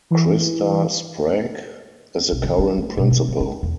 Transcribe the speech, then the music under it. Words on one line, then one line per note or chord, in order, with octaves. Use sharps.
Krista Sprague is the current principal.
E3
B1
D#3
D#4
A3
B2
F3
F3
D#4
E2